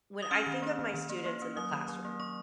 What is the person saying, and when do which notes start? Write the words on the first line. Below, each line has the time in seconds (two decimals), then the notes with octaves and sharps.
when I think of my students in the classroom,
0.22 D#6
0.31 C#4 F6
0.47 D#3
0.62 A#3
0.79 D#3
0.94 D#3
1.09 A#3
1.26 A#3
1.42 C#4
1.57 F#3 D#6
1.73 D#3
1.88 F#3
2.05 A#3
2.20 A#3 C#6